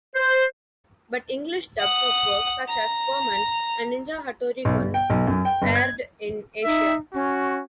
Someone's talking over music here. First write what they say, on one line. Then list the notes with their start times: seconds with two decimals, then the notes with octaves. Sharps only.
But English dubs of work such as Perman and Ninja Hattori-kun aired in Asia.
0.15 C5
1.80 F#5 D#6
2.68 A#5
4.65 B1
4.79 G1
4.94 G5
5.10 B1
5.27 F#2
5.45 G5
5.62 G1
5.75 G#6
6.65 D#4 E5
7.13 C#4 F#4